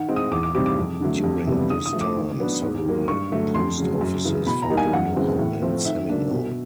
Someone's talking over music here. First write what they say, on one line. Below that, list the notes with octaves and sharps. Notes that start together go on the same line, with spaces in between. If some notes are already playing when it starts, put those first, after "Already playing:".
During this time, several post offices found a new home in Seminole.
Already playing: D#3 F#5
G#3 C4 D#4
D#6
E2 D6
D6
C3 D#3 G3 C4 D6
D6
F2
D3 F#3 A3
F2
C3 E3 G3 B3
D3 D#6
D#6
F3 A3
D6
D#3
F#3 B3 D4
G#2
D#3 F#3 A#3
G2 C#6
D3 F#3 A3
F2 C6
C#3 F#3
F#2
C#3 E3
B2 B5
A#5
G3 A#3 D#4
G#5
F#2 F#5
C#3 E3 G#3 C4
A2
F3 A3 C4
D#3 E5
F#3 A#3 D4
B2